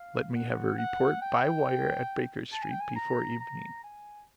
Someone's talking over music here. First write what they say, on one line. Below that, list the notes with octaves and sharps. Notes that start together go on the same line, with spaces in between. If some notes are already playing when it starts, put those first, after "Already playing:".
Let me have a report by wire at Baker Street before evening.
Already playing: F5
F#5
F#5
G5
A5
G#5
G5
G#5
A#5
A#5
G#5